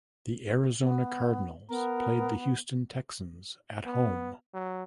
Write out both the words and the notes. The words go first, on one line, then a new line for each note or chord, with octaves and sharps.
The Arizona Cardinals played the Houston Texans at home.
B3
B3 A#4
B3
F#3